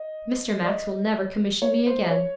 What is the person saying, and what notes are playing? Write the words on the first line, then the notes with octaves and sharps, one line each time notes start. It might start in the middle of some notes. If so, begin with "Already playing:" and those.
'Mr. Max will never commission me again.'
Already playing: D#5
D5
D#5
C#5
C5
C#5